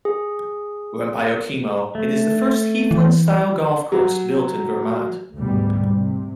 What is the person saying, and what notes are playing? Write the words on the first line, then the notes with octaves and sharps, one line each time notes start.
Run by Okemo, it is the first Heathland-style golf course built in Vermont.
G#4
A3
E3
F#3
D2 G#2 B2 G3
C3